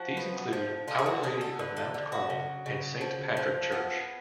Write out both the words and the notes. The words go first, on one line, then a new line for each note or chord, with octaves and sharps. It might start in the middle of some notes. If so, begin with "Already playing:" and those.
These include Our Lady of Mount Carmel and Saint Patrick Church.
Already playing: F3 F#4
B3
F3
D3 F4
G#4
F#4
D3 G#4
A4
D3 B4
A4
D3
F#4
C#3
C#3
F3
F3
B3